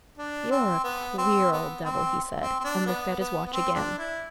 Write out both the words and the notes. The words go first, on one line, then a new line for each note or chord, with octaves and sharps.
"You're a queer old devil," he said, and looked at his watch again.
D4
C4
B3
C4
B3
C4
C4
C4
D4
B3
B3
B3
C4
D4
E4